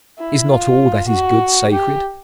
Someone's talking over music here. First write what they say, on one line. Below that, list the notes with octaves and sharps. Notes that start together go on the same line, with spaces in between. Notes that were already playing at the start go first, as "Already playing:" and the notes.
Is not all that is good sacred?
E4
F4
F#4
G4